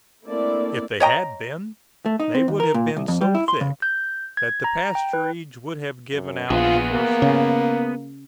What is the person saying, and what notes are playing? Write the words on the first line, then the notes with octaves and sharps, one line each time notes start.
If they had been, they would have been so thick that the pasturage would have given out the first day.
A3 A#3 C4 D4 E4 D5
C#5 D#5 G5 A#5
A3
D#4
C4
D#2
A#4
A#2
C2
F2
G3
E4
C6
C#3
G6
G#6
A#5
G5
B4
F#2
A#1 B3 F4 G#4
A#3
C#3